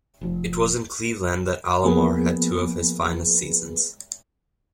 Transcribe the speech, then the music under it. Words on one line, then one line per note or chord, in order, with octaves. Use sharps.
It was in Cleveland that Alomar had two of his finest seasons.
F1 F3
F3 A#3 B3 G#4 B4